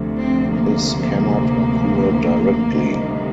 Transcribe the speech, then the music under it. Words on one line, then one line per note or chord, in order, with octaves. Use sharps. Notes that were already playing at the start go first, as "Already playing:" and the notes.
This cannot occur directly.
Already playing: D2 C3 F3
C4
A#3
D2 C3 D#3 G3